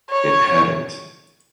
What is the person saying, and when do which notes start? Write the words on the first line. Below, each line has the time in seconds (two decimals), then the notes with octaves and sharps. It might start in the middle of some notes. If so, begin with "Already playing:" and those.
It hadn’t.
0.10 C#5